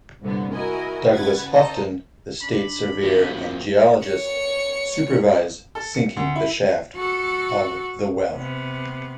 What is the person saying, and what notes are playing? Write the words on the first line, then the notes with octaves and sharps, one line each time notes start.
Douglass Houghton, the state surveyor and geologist, supervised sinking the shaft of the well.
C2 G2 A#2 D3 B3
E4 F#4 A#4 D#5 G#5
C#3 B4 F#5 G#6 A6
A4 C5 D#5 A#5
D4 B5
F3 A#3 B3 F#4
C#5 C#7
A4
C#7
D2
E4
F#4 A4
C3 B3